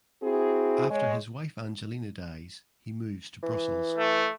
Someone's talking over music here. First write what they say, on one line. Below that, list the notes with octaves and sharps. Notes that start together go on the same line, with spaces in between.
After his wife Angelina dies he moves to Brussels.
C4 E4 F#4 G#4
G#3 C#5
E3
A3